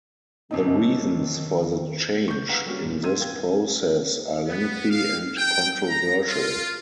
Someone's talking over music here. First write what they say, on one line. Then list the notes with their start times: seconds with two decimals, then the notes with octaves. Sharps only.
The reasons for the change in this process are lengthy and controversial.
0.51 G1 C3 D#4
1.16 D#3
2.28 C#6 G6
2.48 B4 F5 F#5 A#5
2.65 F#3 G3 A#3 C#4 D4 F#4
2.82 G2 A#2 E3
3.03 G#2 G3 C6 E6 G#6 D#7
3.20 F5 G5 G#6
4.48 B3
4.90 F5
5.36 G5
5.89 A#5
6.27 F4